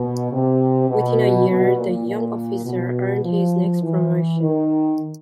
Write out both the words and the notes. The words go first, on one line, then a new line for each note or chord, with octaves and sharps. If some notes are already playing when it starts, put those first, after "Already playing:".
Within a year the young officer earned his next promotion.
Already playing: B2
C3
B2
B2
A#2
A#2
B2
F3
E3
D#3